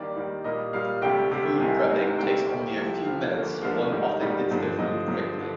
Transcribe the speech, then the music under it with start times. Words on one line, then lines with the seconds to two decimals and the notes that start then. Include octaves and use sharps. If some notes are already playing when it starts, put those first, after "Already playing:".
Food prepping takes only a few minutes so one often gets their food quickly.
Already playing: D#2 D#3 G3 A#3 D5
0.15 D#2 D#3 G3 A#3
0.44 A#2 G3 A#3 D#5
0.73 A#2 G3 A#3 F5
1.02 D2 C3 G3 G5
1.31 D2 C3 G3
1.60 C2 C3 D#3 G#5
1.89 C2 C3 D#3
2.18 D2 C3 G3 A#3 G5
2.46 D2 C3 G3 A#3
2.76 C2 C3 F3
3.04 C2 C3 F3 F5
3.34 D2 D3 F3 A#3
3.63 D2 D3 F3 A#3 F5
3.92 G#2 D#3 G3
4.21 G#2 D#3 G3
4.50 G2 D3 F3
4.78 G2 D3 F3 D#5
5.08 G2 D3 F3
5.38 D3 F3